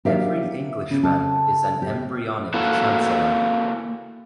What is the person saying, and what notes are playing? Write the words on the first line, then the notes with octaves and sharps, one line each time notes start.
Every Englishman is an embryonic chancellor.
F#3 A#3 D4 G4 E5 F5
C#3
A4
G4
A#3 E4 F#4 A4